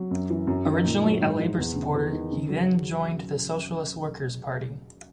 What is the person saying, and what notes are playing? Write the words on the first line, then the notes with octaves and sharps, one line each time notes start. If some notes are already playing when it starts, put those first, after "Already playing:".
Originally a Labour supporter, he then joined the Socialist Workers Party.
Already playing: F#3
F#2
E3
F#2
D#3
A#2
F#3
G#2
E3
E2
C#3
E2
D#3
C#3
F#3